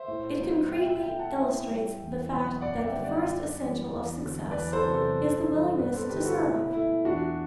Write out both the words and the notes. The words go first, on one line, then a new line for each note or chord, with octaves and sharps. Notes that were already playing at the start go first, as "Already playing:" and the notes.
It concretely illustrates the fact that the first essential of success is the willingness to serve.
Already playing: C5 E5
A2
F#3 B3
B2 E5 G5
E5 G5
A3 E5 G5
F#5 A5
A2 E5 G5
G3 B3
E2
B2 F#3 B3
F#2 D5 F#5
E5 G5
D3 G3 B3
D5 F#5
F#2
E3 G3 B3
E2
D3 F#3 B3
E2 B4 D5
A4 C5
C3 F#3
A4 C5
F#2
E3 G3
G2 B4 D5
A4 C5
D3 G3 B3 G4 B4
G4
F#4 A4
B2 E4
A3 E4
E2 D4 F#4